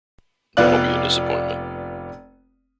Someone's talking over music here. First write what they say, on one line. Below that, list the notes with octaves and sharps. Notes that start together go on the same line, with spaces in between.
That'll be a disappointment.
F1 B3 F4 D5 F#6